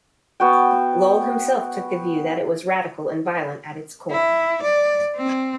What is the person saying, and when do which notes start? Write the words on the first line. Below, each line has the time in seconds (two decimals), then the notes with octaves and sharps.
Lowell himself took the view that it was radical and violent at its core.
0.40 B3 F#4 G5
4.10 E4
4.62 D5
5.16 C4